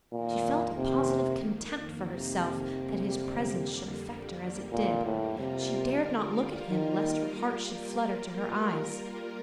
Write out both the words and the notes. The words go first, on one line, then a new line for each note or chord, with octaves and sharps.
She felt a positive contempt for herself that his presence should affect her as it did; she dared not look at him lest her heart should flutter to her eyes.
F2 A#2 D#3 A#3
C3
C3
F2 D3 G3 A#3
A#2
A2
C3 G3 A#3 F4 A#4
D3
D#3